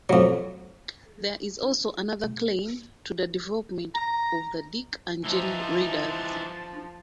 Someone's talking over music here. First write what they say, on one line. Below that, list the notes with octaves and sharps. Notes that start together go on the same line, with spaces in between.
There is also another claim to the development of the Dick and Jane readers.
F2 F#3
A#5
E3 F3 D#4 A5